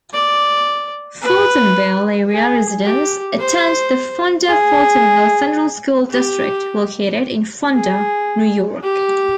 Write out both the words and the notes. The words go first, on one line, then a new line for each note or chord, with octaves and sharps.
Fultonville area residents attend the Fonda-Fultonville Central School District, located in Fonda, New York.
D5
B4
G#4
G4
C5
G#4
G4
G#4
G4